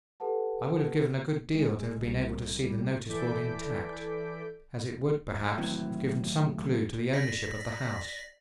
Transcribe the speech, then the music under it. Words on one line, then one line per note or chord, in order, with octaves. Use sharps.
I would have given a good deal to have been able to see the notice-board intact, as it would, perhaps, have given some clue to the ownership of the house.
G4 A4 B4 F#5 A5
G#3
C2
G3
E3 A4 D5 G6 B6 D7
D#2 A2 C3 E3 F#3
D5 A#6 B6